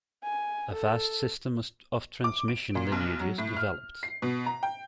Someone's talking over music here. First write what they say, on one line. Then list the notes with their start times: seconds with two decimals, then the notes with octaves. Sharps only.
A vast system of transmission lineages developed.
0.24 G#5
0.73 A4
2.24 D6
2.48 D7
2.75 A#2
2.92 B1
3.20 F#3
3.38 A2
3.57 F6
4.03 C7
4.22 B2
4.46 A#5
4.63 G5